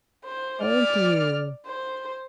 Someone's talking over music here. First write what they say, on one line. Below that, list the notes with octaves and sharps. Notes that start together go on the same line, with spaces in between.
Thank you.
C5
D5 F6
C5